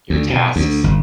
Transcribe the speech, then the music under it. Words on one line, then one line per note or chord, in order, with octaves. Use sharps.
your tasks.
D2
B2
D2
G1